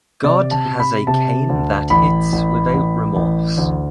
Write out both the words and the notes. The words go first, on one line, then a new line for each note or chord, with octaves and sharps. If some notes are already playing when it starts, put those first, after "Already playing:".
God has a cane that hits without remorse!
C3 D5
A5
C3
B5
C3 A5
D2
A1 B5
A1
A1
A1
D2